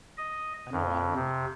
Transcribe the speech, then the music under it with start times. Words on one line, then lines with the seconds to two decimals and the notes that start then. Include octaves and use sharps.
I don't I run
0.18 D#5
0.73 F2
1.16 C3